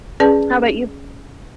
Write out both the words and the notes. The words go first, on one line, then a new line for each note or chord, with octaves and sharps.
How about you?
C#4 G#4 B4 D5 A5